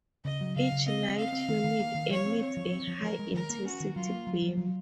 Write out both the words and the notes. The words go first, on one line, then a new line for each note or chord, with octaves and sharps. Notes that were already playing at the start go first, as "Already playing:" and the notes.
Each light unit emits a high-intensity beam.
C#3 D#5
F#3
C#3 F5
C#3
C4 D#5
C4
C4 F5
C4
D#3
D#3
A#3
D#3
F3 C#5
C4
C4 C#5
F3
C4
F3
F3 A#4
G#3
D#3 A#4
A#3
C#4 F#4
D#3
F#3 F4
A#3
F#3
F#3
F#3